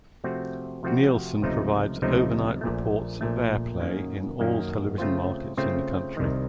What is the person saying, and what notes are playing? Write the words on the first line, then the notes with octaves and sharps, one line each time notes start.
Nielsen provides overnight reports of airplay in all television markets in the country.
C3 F3 A3 C4 F#4
C3 F3 A3 C4 F#4
C#2 C3 F3 A3 D#4
C#2 C3 F3 A3 D#4
A#1 A#2 A3
A#1 A#2 A3
F#2 D#3 A#3 C#4
F#2 D#3 A#3 C#4
C#3 A3 C4 F4 C5
C#3 A3 C4 F4 C5
C2 C3 D#3